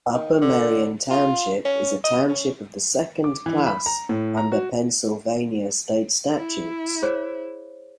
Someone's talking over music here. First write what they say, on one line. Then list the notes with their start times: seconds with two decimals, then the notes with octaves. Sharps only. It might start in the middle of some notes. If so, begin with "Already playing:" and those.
Upper Merion Township is a township of the second class under Pennsylvania state statutes.
0.13 D#3
0.42 D3
1.11 F4
1.65 C#4
2.04 D#5
2.29 C#4
3.24 D6
3.46 E3
3.66 B5
3.86 A#5
4.09 A2
4.37 A#5
4.52 F#4
6.37 E4
7.02 G#4 C5 C#5